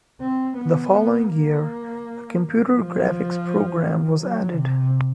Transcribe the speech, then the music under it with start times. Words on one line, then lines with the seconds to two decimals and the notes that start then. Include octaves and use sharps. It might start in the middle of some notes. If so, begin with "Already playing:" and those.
The following year, a Computer Graphics program was added.
0.21 C4
0.58 B3
1.29 A#3
2.74 F3
4.19 F#3
4.54 C3